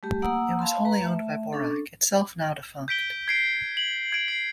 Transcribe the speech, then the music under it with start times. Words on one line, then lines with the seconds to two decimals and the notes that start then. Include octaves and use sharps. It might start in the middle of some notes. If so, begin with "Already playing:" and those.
It was wholly owned by Bouraq, itself now defunct.
0.03 G3 A3 G4
0.22 A#3 F#5 A#5 D#6 E6
0.59 F5 A5 B5 C6
0.85 B4 A#5
1.01 A3 E5
1.53 C#4 D4 A4
2.88 G6 B6 D7 G7
3.28 G#6 C7 D7
3.77 F#7
4.12 G#6 D7
4.28 C7